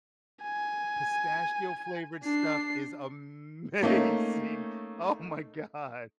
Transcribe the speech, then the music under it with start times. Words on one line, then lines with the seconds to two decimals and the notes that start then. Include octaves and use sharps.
Pistachio flavored stuff is amazing. Oh, my god.
0.43 G#5
2.23 D4 C7
3.83 A3 A#3 C#4 D#4